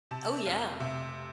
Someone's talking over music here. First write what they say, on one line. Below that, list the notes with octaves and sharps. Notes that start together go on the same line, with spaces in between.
Oh, yeah.
C3 A5
F1 F5
C3 E5